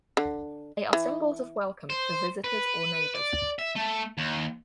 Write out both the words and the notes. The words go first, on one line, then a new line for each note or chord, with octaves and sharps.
They are symbols of welcome for visitors or neighbors.
D3
E3
C5
B4
D5
E5
A3
D#2